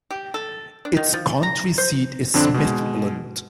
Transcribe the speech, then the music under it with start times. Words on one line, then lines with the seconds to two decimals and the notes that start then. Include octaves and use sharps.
Its county seat is Smithland.
0.11 G4
0.34 A4
0.85 D4
0.97 D#3
1.14 F3
1.43 A#5
1.78 C5
2.34 F2 D3 C4 D4
2.54 B2 G#3